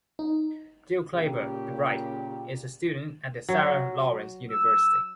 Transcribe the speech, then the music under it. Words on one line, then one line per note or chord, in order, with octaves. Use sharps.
Jill Clayburgh, the bride, is a student at the Sarah Lawrence University.
D#4
A#2 C#3 G4
F#3
E6